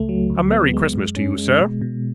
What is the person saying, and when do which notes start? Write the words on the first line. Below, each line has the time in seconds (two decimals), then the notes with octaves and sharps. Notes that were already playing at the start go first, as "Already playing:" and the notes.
A merry Christmas to you, sir!'
Already playing: C#2 A3
0.09 F#3
0.30 D2
0.51 B3
0.73 G#3
0.95 F#2
1.16 C#4
1.38 G#3
1.60 B2
1.81 B2